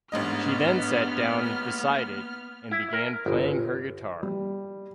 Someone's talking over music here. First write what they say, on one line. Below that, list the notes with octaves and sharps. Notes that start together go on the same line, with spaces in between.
She then sat down beside it and began playing her guitar.
A1 G#2 B3 D4 D#5 F6
A#3
E4
A#4
G1
G3